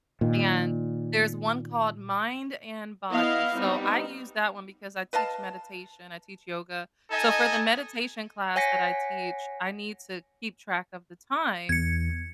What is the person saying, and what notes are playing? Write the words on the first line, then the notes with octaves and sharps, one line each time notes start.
And, there's one called Mind and Body, so, I use that one because I teach meditation. I teach yoga. So, for the meditation class that I teach, I need to keep track of the time,
A#2 D#3
B3 E4 D#5 F5
G3 B3 C4 D#4
B4 D#5 F5 A5
D#4 A4 D#5 G#5
C#5 F#5 G#5 A#6 B6 C#7
E2 G#6 C#7